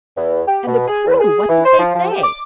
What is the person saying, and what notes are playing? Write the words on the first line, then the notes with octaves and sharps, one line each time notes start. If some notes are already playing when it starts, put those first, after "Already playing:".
"And the crew, what did they say?"
E2
G4
B2
G#4
E2
G#4
E3
C5
F3
F3
G4
D6